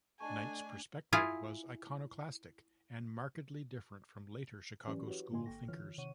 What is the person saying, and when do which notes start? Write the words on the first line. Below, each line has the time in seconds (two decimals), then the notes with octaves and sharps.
Knight's perspective was iconoclastic, and markedly different from later Chicago school thinkers.
0.20 A3 D4 D#5 G#5 A5 C#6
1.13 E4 F4 G#4 F5
4.88 E3 F#3 C#4 G4 B4 D5
5.06 E4 F#4 G4 B4 C#5
5.31 G#2 D3 A#3 D#5 G#5 C6
5.46 G#1 A4 G5 C#6 A#6
5.68 D3 E3 F4 C#5 F6
5.98 C3 D#3 C#5 F#5 C#6 D#7